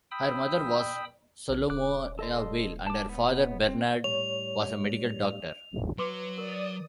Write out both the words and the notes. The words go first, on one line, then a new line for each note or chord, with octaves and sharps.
Her mother was Saolomea Weil and her father Bernard was a medical doctor.
G5 B5 D#6 E6
A#1
D#1 D6 F#6
A4 D#5 C6
A5 D6
B3
C4
A2 G3 C#5 F7
F#3 B4 C6 D6
A#4 D5 D#6